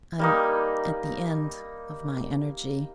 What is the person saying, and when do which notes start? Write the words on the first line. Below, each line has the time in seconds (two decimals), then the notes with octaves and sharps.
I'm at the end of my energy.
0.19 G3 A#3 D#4